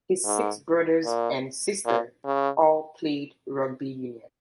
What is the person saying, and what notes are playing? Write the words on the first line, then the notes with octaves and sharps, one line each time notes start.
His six brothers and sister all played rugby union.
G#2
A#2
A#2
C#3